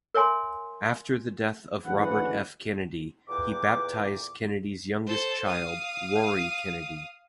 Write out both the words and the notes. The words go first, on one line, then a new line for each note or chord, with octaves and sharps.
After the death of Robert F. Kennedy, he baptized Kennedy's youngest child, Rory Kennedy.
A#4 C#5 E5 G#5 C6
F#1 D2 C#3 E3 B4 F#5
E2 A#2 A4 B4 G5 D6
A4 C5
F5 D#6